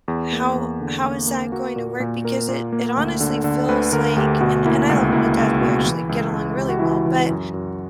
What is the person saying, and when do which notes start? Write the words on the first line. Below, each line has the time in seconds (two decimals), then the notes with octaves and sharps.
how how is that going to work?" Because it it honestly feels like and and I love him to death, we actually get along really well, but
0.08 E2
0.32 A#3
0.55 E2
0.81 D3
1.03 A#3
1.28 A#3
1.52 A#3 F#4
1.76 A#2
2.00 A#2
2.24 A#2 A#4
2.49 A#2
2.72 A#3
2.97 D2
3.21 D3
3.44 D3
3.69 D2 B4
3.92 D3 A#4
4.16 D2 G4
4.41 B2 F#4
4.66 A#3 E4
4.88 C#2 F#4
5.12 A#3 E4
5.37 C#2
5.61 B2
5.85 E3
6.09 C#2
6.34 C#2
6.57 C#2 G4
6.69 F#4
6.79 E3 E4
6.91 F#4
7.06 E3
7.30 F#2
7.54 F#2